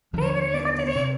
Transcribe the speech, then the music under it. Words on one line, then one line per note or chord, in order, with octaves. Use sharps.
He immediately quit the team.
D#2 D3 F3
B3
C3 C4